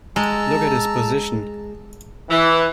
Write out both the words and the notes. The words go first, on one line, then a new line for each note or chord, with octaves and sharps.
Look at his position.
G#3 A5 A#5 E6
E3